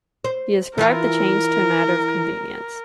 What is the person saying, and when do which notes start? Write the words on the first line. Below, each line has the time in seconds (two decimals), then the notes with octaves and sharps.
He ascribed the change to a matter of convenience.
0.24 C5
0.78 E3 E4 F4 A#4